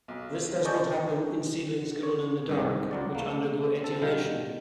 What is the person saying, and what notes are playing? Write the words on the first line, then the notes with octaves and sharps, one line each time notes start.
This does not happen in seedlings grown in the dark, which undergo etiolation.
B1
D5 D#5 G#5 A5 C#6 G6
C#5
C2 G#2 D#3
C#2 F#3 D5
A3 A#3
C4 A4
B2 D#3 G3 F5 G5